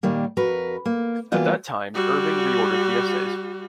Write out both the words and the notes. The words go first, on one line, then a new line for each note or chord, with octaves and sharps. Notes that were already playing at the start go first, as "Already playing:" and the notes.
At that time, Irving reordered the essays.
A#2 D#3 G3 A#3
F2 F#4 A#4 B4
A#3
E3 G3 A#3 B3 F4 F#4
G3 F#4